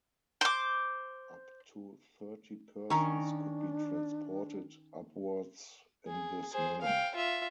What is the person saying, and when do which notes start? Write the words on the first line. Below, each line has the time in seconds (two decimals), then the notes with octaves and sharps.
Up to thirty persons could be transported upwards in this manner.
0.41 C5 D6
2.90 D#3 C#4 D4 A#4 A#5 C#6
6.07 G#4
6.53 G#4 C5
6.82 F5 G5
7.15 F4 E5